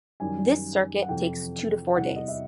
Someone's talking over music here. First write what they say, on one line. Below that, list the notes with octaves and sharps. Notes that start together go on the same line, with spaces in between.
This circuit takes two to four days.
F#2 D#3 G3 G#5
F#5
F2 C3 E3 G5
E2 C3 E3 G3 F#5
D#5
E5